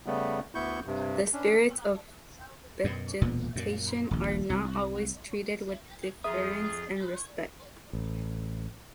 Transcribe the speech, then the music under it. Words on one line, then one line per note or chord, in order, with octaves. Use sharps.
The spirits of vegetation are not always treated with deference and respect.
C#3 G3 A3 B3
D2 B3 E4 C#6 G6
G2 C3
C#4 D4
F#2 B2
E1 D2 A#2 B3
F#2 A#2
D#1 A#1
C2
F2 F4 G#4 E5 D#6
A1